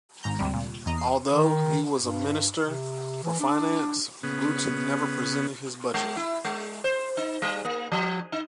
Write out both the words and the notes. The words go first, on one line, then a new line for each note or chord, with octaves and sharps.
Although he was Minister for Finance, Bruton never presented his Budget.
G#1 G#2 A#5 G6
D2 C3 G3
A#2
E2 D#5 A#5
C7
D#3
G2
C3
E3
D4
C#3 B3
G#3
E4
G#3
C5
D#4
G3
A#3
F3
D#4